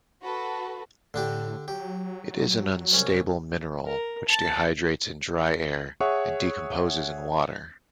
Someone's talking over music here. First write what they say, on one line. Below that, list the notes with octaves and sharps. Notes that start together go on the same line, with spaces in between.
It is an unstable mineral which dehydrates in dry air and decomposes in water.
F#4 A4 B4
A2 D3 D4 G4
F#3 G4
C2 C#4
A#4
A5
G#4 C#5 E5 F#5 C#6